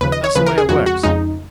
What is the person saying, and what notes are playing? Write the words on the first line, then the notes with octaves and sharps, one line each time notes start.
That's the way it works.
D#2 C#3 F3 B4
D#5
C#5
D#2 C#3 F3 B4
A#4
G#4
F2 C#3 G#3 F#4
F#4
F2 C#3 G#3 D#4